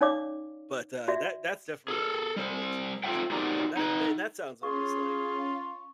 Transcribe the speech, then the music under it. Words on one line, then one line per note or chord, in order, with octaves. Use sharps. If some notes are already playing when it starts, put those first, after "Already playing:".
But, uh, that that's definitely an unusual t one to me. That th and that sounds almost, like
C#4 D#4 C#5 D5 F5 D6
F#4 D5 E5
G#4 A4
G3 C5
F4 A4 C5 E5 F5 G5
D#4 F#4 G4 A#4 C5 D5
D#4 B4
C#4 F4 G#4 C#6